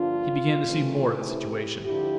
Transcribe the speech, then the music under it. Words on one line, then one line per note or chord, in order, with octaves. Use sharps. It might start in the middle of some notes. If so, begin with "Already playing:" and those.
He began to see more of the situation.
Already playing: G2 D3 F3 A#3 D4 F4
C3 E3 A3 C4
E4 G4
D2 D3 F3 E4 G4